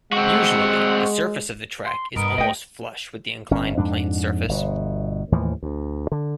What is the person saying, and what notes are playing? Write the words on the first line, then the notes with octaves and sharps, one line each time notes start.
Usually, the surface of the track is almost flush with the inclined plane's surface.
G#3 C4 F#4 F#5
C6
G2 B3 A#4 D#5 D7
A3 B3 B4 D#5 G5
G1 C#4
F2 G#2 D4
G1 B2
D#2 A2 E3 F3
D2
D3